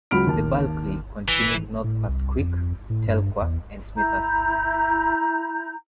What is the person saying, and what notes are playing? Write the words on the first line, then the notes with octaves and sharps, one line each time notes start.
The Bulkley continues north past Quick, Telkwa and Smithers.
C#2 F#3 F#4 B5 F6 D7
D#2 A5
E3
A2
C2
F2
A2
G2
E2
E4 A#5 G6